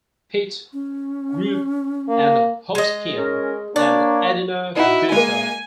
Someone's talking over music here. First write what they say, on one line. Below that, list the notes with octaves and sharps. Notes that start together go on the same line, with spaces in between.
Pit, Grube and Hovsepian and Adina Butar.
C#4
A#3
G#3 D#5
C#4 A#4
A#3 D4 C#5 D5
D#4 E4 F#4
G#3 A#3 G#5